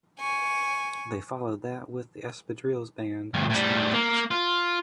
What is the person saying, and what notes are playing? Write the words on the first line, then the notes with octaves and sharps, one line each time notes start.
They followed that with the espadrilles brand, Miss Hamptons.
G#5 C#6
D2 G2
A2 G3
A#3
F4